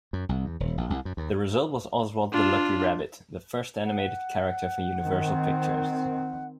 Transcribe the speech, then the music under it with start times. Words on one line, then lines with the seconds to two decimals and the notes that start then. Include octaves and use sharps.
The result was Oswald the Lucky Rabbit, the first animated character for Universal Pictures.
0.13 F#2
0.29 C2
0.45 E2
0.60 D#1
0.78 A#1
0.90 C2
1.05 F#2
1.17 D#2
2.32 D4 F4
3.85 F#5
5.02 D#3 C4